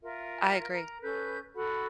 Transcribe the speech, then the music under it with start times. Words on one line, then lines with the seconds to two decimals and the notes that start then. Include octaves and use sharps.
I agree.
0.02 F4 A#4 E5
0.73 A#4 A#5
1.03 C#4 A4 B4 G6
1.55 F#4 A4 F#5 B5